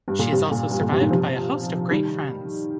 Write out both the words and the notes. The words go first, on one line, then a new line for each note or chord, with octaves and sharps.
She is also survived by a host of great friends.
G2
A#2
G2 C3
A#2
G2
A#2
G2 C3
A#2 D#3
C3 F3
D#3 G3